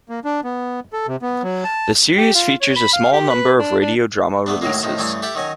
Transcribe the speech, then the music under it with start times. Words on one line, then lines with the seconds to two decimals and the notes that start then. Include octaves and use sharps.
The series features a small number of radio drama releases.
0.09 A#3
0.25 D4
0.44 B3
0.93 A4
1.07 C3
1.22 B3
1.43 F#3
1.64 A5
2.17 G4
2.34 F4
2.61 C#5
2.76 B5
2.93 F5
3.13 G4
3.30 B4
3.59 D4
3.81 D4
4.46 A3 B3 D4
4.61 D#2 A2 F#3 G#3 A#3
4.83 A2 D#3 F3
4.98 G2 C#3 E3 A3
5.22 G4 A4 E5 F#5 G5 A5
5.35 D#3 F#3 C#4 G#5